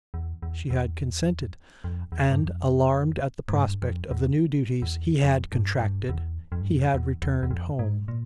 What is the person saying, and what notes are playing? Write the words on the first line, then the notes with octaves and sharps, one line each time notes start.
She had consented, and, alarmed at the prospect of the new duties he had contracted, he had returned home.
E2
E2
E2
F2
E2
G2
F2
G#2
G2
F2
E2
E2
F2
G2
G2
E2
F2
G2
F2
E2
E2
E2
F2
G#2
A#2